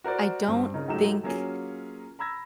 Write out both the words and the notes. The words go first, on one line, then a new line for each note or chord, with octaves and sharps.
I don't think
F#4 A#4 C5 D5
G2 C4
C#3 D#4 A#4
G#2 F#3 A3 D#4 G4 E7
F#3 A#3 C#4 F4 G#4
A#5 B5 E6 G#6 A#6